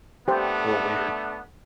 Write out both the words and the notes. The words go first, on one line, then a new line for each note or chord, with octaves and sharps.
little weird.
A3 B3 D4 G4 C5